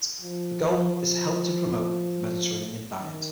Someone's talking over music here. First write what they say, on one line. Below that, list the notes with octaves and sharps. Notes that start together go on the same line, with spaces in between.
The goal is to help to promote the Mediterranean diet.
F3
D#3